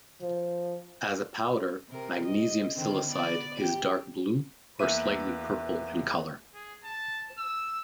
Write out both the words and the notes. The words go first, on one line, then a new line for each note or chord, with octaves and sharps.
As a powder magnesium silicide is dark blue or slightly purple in color.
F3
C3 A#4
D#5
D3 D#3 C4
B3 D5
E2 G4
E2 A#3 B4 E5 D#7
G#4
A5
E6